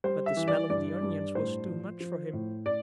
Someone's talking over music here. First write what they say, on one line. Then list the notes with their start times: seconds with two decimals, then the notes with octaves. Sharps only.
But the smell of the onions was too much for him!
0.04 G3 C5
0.26 E5
0.37 E3
0.48 D5
0.70 G2 D5
1.02 G2
1.35 A2 C5
1.68 F3
2.00 F3
2.33 A2
2.66 A2 D5